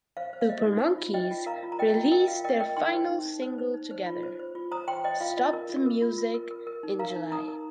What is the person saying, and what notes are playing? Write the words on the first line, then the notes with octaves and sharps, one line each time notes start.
Super Monkey's released their final single together, "Stop the Music" in July.
C5 F5
C5
F5
C5 D#5
D#4
C5
F4
C5 D#5 G5
F4
A#4 F5 A#5
F4
A#5
A#4 D#5 G5
F4
A#4 D#5 G5
F4 F5
A#4 D#5 G5
A#4 D#5 G5
D#4 G5 C6
C5
D#4
D#4
C5
C5
D#4
C5
F4
C5
C5
F4
C5 A#5 D#6
C5 G5 C6
C5 D#5 G5
F4 F5
F4 D#5
A#4
F4
A#4
F4
F4
A#4
A#4
A#4
D#4
A#4 F5 A#5
D#4
D#4 A#5 D#6
A#4